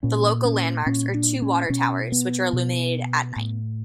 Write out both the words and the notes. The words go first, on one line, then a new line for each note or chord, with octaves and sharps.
The local landmarks are two water towers, which are illuminated at night.
A#2 C#4
C#4
A#2 C#4
D4
C#4
B2 C#4
B3
B2
A2